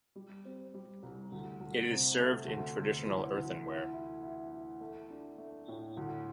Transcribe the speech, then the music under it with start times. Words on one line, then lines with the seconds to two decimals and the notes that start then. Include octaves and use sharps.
It is served in traditional earthenware.
0.16 G3
0.45 C4
0.74 G3
1.03 C2
1.32 D2
1.60 D2
1.90 C3
2.19 A3
2.47 D2
2.77 D2
3.06 E3
3.36 D2
3.65 E4
3.93 E4
4.23 E4
4.52 E4
4.81 A3
5.10 D4
5.38 A3
5.68 A2
5.97 D2